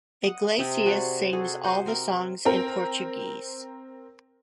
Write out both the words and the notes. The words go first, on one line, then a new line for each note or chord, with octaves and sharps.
Iglesias sings all the songs in Portuguese.
D#5 F#5
C3 D#5 E5 G5
F#4 G#4 D5 F#5
F#4 G#4 A4
F#4 C5 D#5
C4 A#4
C4 A#4